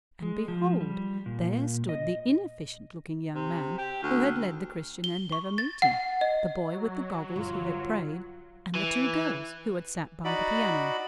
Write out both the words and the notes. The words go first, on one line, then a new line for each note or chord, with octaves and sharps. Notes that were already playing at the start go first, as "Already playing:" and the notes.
And behold, there stood the inefficient-looking young man who had led the Christian Endeavor meeting, the boy with the goggles who had prayed, and the two girls who had sat by the piano.
G#3
F3
G3
A#2
D#5
C3
G4
D2
G7
C#6
A6
F#5
D#5
F#3
G1 F4
E3
D#4 F#4 D5 B5